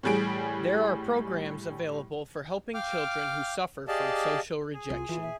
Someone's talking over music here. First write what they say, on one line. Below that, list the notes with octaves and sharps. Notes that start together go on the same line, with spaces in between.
There are programs available for helping children who suffer from social rejection.
A2 E3 G3 G#4 D7
F5 G5 D6 F6
G4 G#4 D5 D#5 F5 A5
G#4 G#5
C2 F4
E3 F4
E5